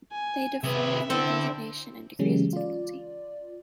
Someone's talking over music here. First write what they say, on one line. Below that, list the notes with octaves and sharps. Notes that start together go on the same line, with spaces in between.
They differ in their designation and degrees of difficulty.
G#5
C3 G#4 B4 E5
C4 D4 E4 A4
C#3 E3 F#3 G#3 C#4 G4
F4 D5